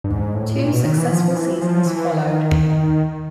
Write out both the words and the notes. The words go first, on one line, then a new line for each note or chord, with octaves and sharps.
Two successful seasons followed.
G2
G#2
A2
A#2
B2
D#3
E3
F3
E3
F3
E3
D#3